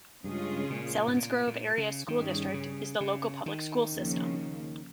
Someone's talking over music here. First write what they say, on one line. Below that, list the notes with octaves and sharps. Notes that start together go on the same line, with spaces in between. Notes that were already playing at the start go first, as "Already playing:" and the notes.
Selinsgrove Area School District is the local public school system.
G2 C#3 G#3 C#4 F4 G#4
A#2
G#2
A#2
A#2
C#3
G2 D#3 G3 C#4 G#4
C#3
C#3
D#3
D#2 C#3 F3 A#3